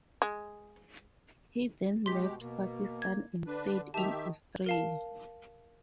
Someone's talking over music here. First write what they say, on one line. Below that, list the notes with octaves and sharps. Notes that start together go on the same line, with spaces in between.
He then left Pakistan and stayed in Australia.
G#3
B2 G#3 G4 C6 B6
B2 A#3
G#6
D3 D4 B4
D#3 G4 E5 A5 F7
A#4 F5 A5